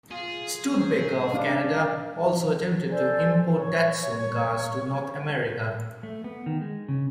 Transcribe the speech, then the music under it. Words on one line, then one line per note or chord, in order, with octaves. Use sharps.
Studebaker of Canada also attempted to import Datsun cars to North America.
F4 G#4
F#3 A#3 C#4 C5
D4 B4 D5 F5
A4 C5 D5 G#5
C#5 C#6
A3
B3
D#3
G#3
C#3